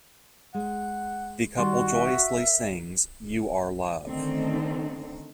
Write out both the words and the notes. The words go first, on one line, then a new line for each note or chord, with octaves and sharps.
The couple joyously sings "You Are Love".
G#3 F#5
D#3 G3 F#4 D5 C6
E5
A#4
D3 D#3 A3 C4 C#4 D#4